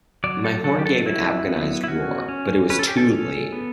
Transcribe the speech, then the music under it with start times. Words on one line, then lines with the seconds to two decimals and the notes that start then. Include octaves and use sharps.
My horn gave an agonised roar, but it was too late.
0.24 F#3 D5
0.44 A4
0.64 F#3 A4
0.79 G4
0.86 A4
1.06 F#3 E4
1.47 B3
1.84 E4
1.88 C#4 F#4
2.29 C#4
2.70 C#4 B4
2.79 A4
2.88 G4
2.97 A4
3.11 C#4
3.52 B3